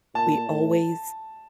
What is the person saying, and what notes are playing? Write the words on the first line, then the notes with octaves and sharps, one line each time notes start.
we always,
A#2 A5
A2